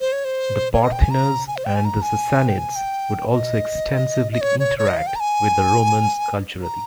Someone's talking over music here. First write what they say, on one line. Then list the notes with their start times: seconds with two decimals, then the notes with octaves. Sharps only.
The Parthians and the Sassanids would also extensively interact with the Romans culturally.
0.01 C5
0.12 C#5
0.25 C5
0.74 C#5
0.83 D#5
0.92 G5
1.01 G#5
1.11 A#5
1.48 G#5
1.57 C5
1.65 G5
1.75 G#5
1.85 A#5
2.02 G#5
2.48 G5
2.58 G#5
2.76 G5
3.31 D#5
4.32 D#5
4.41 C#5
4.60 C#5
4.78 C#5
4.88 D#5
4.98 F5
5.07 G5
5.16 A#5
5.20 G#5
6.63 A#5